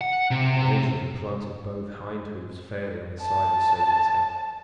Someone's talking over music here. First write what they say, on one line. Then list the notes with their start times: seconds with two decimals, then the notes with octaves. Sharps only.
The Angel had planted both hind hoofs fairly on the side of Satan's head.
0.01 F#5
0.31 C3
3.23 A5